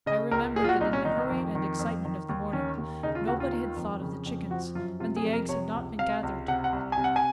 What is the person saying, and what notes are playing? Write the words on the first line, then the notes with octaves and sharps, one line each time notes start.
I remembered that in the hurry and excitement of the morning nobody had thought of the chickens, and the eggs had not been gathered.
C#3 D#5
C#2 A#4
A#2 G#4
F4
F#4
C2 D#4
C#4
D#3 D#4
F2
D#3
F2
D#3
D#2
D#3 C#4
D#2
C#3 D#4
F4
D#2 F#4
F4
D#3
F2
C#3
F2
F3 F#4
F#2 F4
C3 F4
G#4
F2
A#4
C3 C#5
C#2
C3 F5
C#2
C3 F#5
F#5
C2
G#5
C3
F#5
G#5